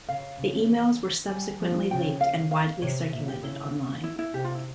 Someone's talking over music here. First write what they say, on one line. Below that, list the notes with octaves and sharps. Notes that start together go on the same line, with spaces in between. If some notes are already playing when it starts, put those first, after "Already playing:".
The emails were subsequently leaked and widely circulated online.
C#3 F5
C#3
E3
G3 G#5
F3
C#3 G5
F5
F5
C3 C#5
A#2 E5
G4
C#3 E4
E4
E4
C3 G4
F4
E4